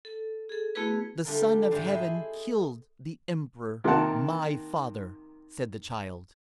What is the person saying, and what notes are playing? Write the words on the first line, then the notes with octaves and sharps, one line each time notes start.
"The Son of Heaven killed the emperor, my father," said the child.
A4
G#4 A4
A3 B3 E4 F#4 G#4 B4
D3 G3 D4 F4 A4 A#4
G#2 D3 G3 C5 F5 A5
E4 G#4 A4 C5 D#5 E5
C3 D#3 A#3 A#4 F#5 A5